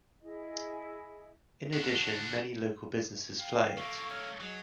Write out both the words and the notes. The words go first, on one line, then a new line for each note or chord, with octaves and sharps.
In addition, many local businesses fly it.
E4 G#4 D#5
D4 F#4 F#5
F5 G5
A3 A#3 C#6
C#5 F6
F#3 G#4 D#5